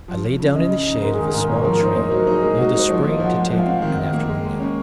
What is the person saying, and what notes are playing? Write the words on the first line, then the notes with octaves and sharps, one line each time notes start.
I lay down in the shade of a small tree near the spring to take an afternoon nap.
F3
F3
C#3
C#3 D#5
C#3
D#4
G#2 A#4
G#4
D#3
G#4
G#2 A#4
A#3 C#5
A#4
F3
A#4
D#4 C5
A#3 C#5
A#4
F#3
A#4
D#4 G#4
G#3 A#4
F#4
A#4
D#4 C5
F3 C#5
D#5
A#3
F5
F3 F#5
G#3 F#5
F#5
F3
F5
C4 F#5
D#3
D#3
A#3
G#3
G#3
C#4